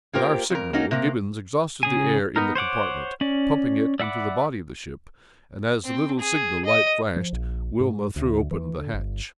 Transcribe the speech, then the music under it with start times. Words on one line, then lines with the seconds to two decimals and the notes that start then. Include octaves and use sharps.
At our signal, Gibbons exhausted the air in the compartment, pumping it into the body of the ship, and as the little signal light flashed, Wilma threw open the hatch.
0.13 A#3 F4 G4 A#4 C5
0.50 F2 A#4
0.73 A#3 C#4 D#4 F#4
0.91 C3 A#3
1.83 C#3 G#4 G#5
2.36 B3 D#4 A#4
2.55 C5 C#5 F#5 D6
3.21 C#4 D5
4.00 D5 E5 F#5 B5 D6
5.85 C4
6.20 G#4
6.65 D#5
7.16 F3
7.32 A#1
7.80 G#2
8.16 D2
8.51 E3
8.78 D3
8.94 G1